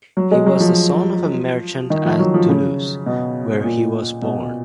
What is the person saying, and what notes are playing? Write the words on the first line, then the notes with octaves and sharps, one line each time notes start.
He was the son of a merchant at Toulouse, where he was born.
F#3
G#3
F#3
F3
D#3
F3
F#3
F3
C#3
B2
A#2
B2